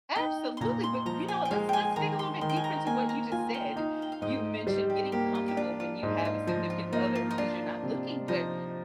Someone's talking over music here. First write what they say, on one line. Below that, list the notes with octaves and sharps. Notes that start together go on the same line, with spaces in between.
Absolutely, but, you know, let's let's dig a little bit deeper into what you just said. You mentioned getting comfortable when you have a significant other because you're not looking, but
D#4 G5
C6
A#2 A#5
C6
F3 A#5
G#5
G5
G#3 F5
G5
G#5
D#3 A#5
C6
D#3 C6
G5
G#5
A#5
A#3 G#5
A#5
F4 G#5
G5
D#4 F5
G5
F5
G#2 D#5
G3 C5
G4
A#3 G4
F4
G4
D4 F4
F4
G#2
F4
F3 D#4
F4
A#3 D#4
F4
D#4
D4 F4
C3
F3 D#4